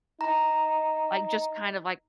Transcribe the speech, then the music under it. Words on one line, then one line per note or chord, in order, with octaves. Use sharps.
Like, just kind of, like
D#4 A#5